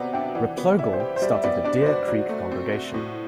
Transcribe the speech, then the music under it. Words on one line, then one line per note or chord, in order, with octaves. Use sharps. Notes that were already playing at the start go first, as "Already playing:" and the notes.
Replogle started the Deer Creek congregation.
Already playing: C3 F#3 B3 C5 D5 F#5
D4 E5 G5
E3 D5 F#5
B3
E4 D5
C5
G4
C5
G3 D5
E5
B3 D5
D4 D5
C5
F#4 D5
F#3 D5
A3
C4
F#4
A2